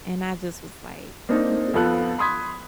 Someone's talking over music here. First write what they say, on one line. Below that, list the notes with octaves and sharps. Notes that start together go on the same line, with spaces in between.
and I just was like, "Hmm?"
A#3 C4 D4 D#4
F2 B3 F4 A4 F#6
B5 C6 D#6 G#6 B6